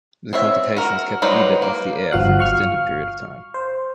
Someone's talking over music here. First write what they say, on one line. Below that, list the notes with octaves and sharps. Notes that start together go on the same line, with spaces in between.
The complications kept Ebert off the air for an extended period of time.
C4 C#5 E5
F#4 A#4
F#3 G3 D#4 B4 C5
A#3
G1 F3 F#4 F5 F#6
F5 C#6 F6
C5